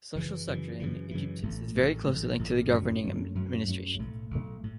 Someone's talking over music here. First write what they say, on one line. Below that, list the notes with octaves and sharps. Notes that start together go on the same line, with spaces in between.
The social structure in Aegyptus is very closely linked to the governing administration.
F#2 C#3 E3
F#2 C#3 E3
F#2 C#3 E3
F#2 C#3 E3
A1 A2 A3
A1 A2 A3
A1 A2 A3
A1 A2 A3
F#2 F#3 A3 C#4
F#2 F#3 A3 C#4
F#2 F#3 A3 C#4
F#2 F#3 A3 C#4
B1 A2 A3
B1 A2 A3
A2